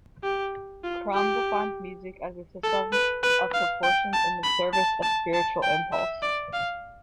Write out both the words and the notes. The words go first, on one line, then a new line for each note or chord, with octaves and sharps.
Crumb defines music as a system of proportions in the service of spiritual impulse.
G4
F4
G4
A4
B4
B4
F5
G5
A5
B5
A5
A5
A5
G5
E5
D5
F5